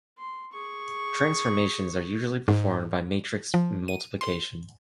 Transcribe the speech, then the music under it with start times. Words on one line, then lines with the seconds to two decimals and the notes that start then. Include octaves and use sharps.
Transformations are usually performed by matrix multiplication.
0.18 C6
0.52 G#4 C#6
2.48 G#2
3.54 F3
3.88 D#7
4.21 C6